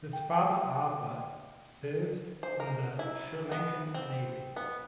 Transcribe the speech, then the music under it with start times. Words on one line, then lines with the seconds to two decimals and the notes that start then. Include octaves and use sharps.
His father Arthur served in the Sri Lankan Navy.
0.13 G5
2.43 C5
2.60 A#4
2.99 E4
3.52 B3
3.94 C4
4.56 B3